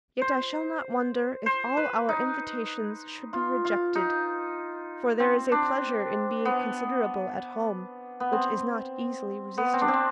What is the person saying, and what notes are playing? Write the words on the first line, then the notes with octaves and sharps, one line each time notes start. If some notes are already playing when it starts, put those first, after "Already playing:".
Yet I shall not wonder if all our invitations should be rejected: for there is a pleasure in being considerable at home, which is not easily resisted.
C5
C5
B4
D#4
F4
F4
D#4
C4
D4
B3
B3
C4
B3
C4
D4
C4